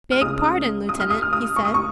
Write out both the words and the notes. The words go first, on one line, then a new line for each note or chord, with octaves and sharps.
"Beg pardon, lieutenant," he said.
F6
C#2 C#3 G#3 C#4 D#6
D#6
F6
D#6
F6
D#6
C#6
D#6
C#6